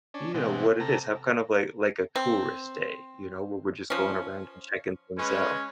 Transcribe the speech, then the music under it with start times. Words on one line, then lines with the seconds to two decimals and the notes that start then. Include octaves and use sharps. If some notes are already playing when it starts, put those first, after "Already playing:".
you know, what it is." Have kind of like like a tourist day, you know, where we're just going around and checking things out,
0.14 C#4 D4
0.34 B2 E3 G#3 C4
0.80 C3 A4 A#5
2.16 C4
3.90 F3 C#4
5.19 G#3 C#4 B4